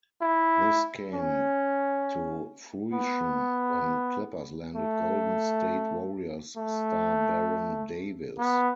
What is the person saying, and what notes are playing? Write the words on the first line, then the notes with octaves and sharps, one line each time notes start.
This came to fruition when Clippers landed Golden State Warriors star Baron Davis.
E4
C#4
B3
A3
A3
B3